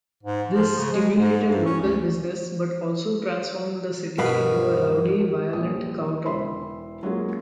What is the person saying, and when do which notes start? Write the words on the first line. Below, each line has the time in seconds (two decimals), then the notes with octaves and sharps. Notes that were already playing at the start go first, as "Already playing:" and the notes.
This stimulated local business but also transformed the city into a rowdy, violent cowtown.
0.23 G#2
0.52 F3
0.78 C#3
0.93 G#3
1.14 G#2
1.47 G2
1.65 C#4
1.80 D2
4.18 G2 B2 A#4 F5 B5
5.29 G4
5.53 D#1 A#1 D#6
6.26 E1 E3 C5 E5 B5 C6
7.03 F#3 G#3 A#3 C#4 F4 G#4